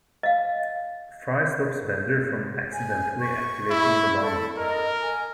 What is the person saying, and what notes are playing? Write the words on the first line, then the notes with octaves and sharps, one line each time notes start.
Fry stops Bender from accidentally activating the bomb.
D#5 F5
G#5
C#6
E4
A4
A#4 D#5
G#5